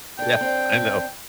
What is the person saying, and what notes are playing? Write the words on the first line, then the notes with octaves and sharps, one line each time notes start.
Yeah, I know.
D4 A4 G5
C4 D4